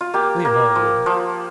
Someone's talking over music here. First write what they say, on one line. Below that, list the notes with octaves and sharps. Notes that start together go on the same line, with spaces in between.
Leonora wouldn't.
F4
A#3 G4
A#3
F3
F3